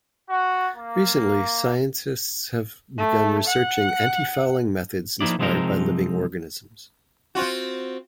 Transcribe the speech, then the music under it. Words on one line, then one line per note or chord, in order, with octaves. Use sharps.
Recently, scientists have begun researching antifouling methods inspired by living organisms.
F#4
A#3
A3
F#5
F3 A#3 D#4 E4 D5
C3 F3 G#3 C4 D#4 A#4
C4 F4 F#4